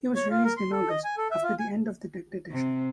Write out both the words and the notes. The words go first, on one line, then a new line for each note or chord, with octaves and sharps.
He was released in August, after the end of the dictatorship.
C#5
F4
A#4
C6
A4
D#5
G#5
A4
E5
F4
G#5
C3